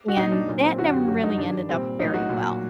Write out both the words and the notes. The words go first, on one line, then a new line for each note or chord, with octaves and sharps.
And that never really ended up very well.
F#4
A#2 F#3 D#4
D4
A#2 F#3
C4
F#2 D3 F#3 F#4
G4
G2 F#3 F#4
D#4
G2 D#3 G3 D4
A#2 G3 C4
A2 F#3 D#4
F#4
A#2 F#3